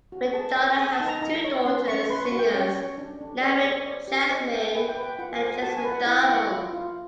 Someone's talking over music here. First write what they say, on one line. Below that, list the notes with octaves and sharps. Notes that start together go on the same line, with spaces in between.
McDonald has two daughters, singers Naomi Jasmine and Jess McDonald.
F#4
G#4 A5
C#5 G5
G#4 G#5
A5
D#4
A#5
D#4 A#5
C#5
C#4 C6
C#4 C#6
B4 C6
C#6
F#4
G5
C#4 C#5
C#5
D4
D4
G#4 D5
D5
G#4
C#5
C5 D5
G4
C5 D#5
G#4 G5
B4 G#5
G5
B4
G5
F4 F#5
G#5
C5
G#5
F#4 A5
G#5
B4
F#5
E4 F#5
G5
E4 F#5
F4
F4